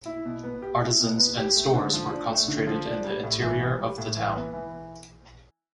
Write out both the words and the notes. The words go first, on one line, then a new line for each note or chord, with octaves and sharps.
Artisans and stores were concentrated in the interior of the town.
E4
B2
B3
G4
E4
B2
B3
G4
A3
D3
F3
D4
A3
D3
F3
D4
G3
A2
E3
B3
G3
A2
E3
B3
E3